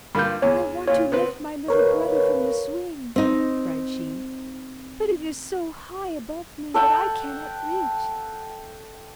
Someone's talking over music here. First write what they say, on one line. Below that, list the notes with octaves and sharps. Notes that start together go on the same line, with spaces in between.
'I want to lift my little brother from the swing,' cried she, 'but it is so high above me, that I cannot reach.
G2 A#3 F4 B5 G6
E2 B3 C#5
A#2 F4 C#5
B3 C4 B4
D#2 A#4 B4 C#5
C4 D#4
A4 E5 F#5 G5